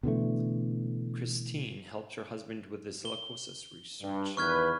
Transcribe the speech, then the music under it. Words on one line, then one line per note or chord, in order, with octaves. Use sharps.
Christine helps her husband with his silicosis research.
B2 D3 E3 A3
G7
G2
E2 D#3 B4 C#6 F6 G#6